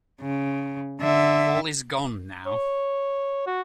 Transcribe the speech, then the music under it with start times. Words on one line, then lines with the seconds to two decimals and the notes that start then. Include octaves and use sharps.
All is gone now.
0.22 C#3
1.01 D3 E5
2.46 C#5
3.47 F#4